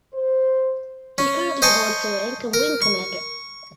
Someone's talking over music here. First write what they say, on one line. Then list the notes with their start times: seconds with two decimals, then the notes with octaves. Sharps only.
He currently holds the rank of Wing commander.
0.13 C5
1.18 C#4
1.62 C5 D#5 G#5 A5 C#6
2.54 A#4
2.82 C#6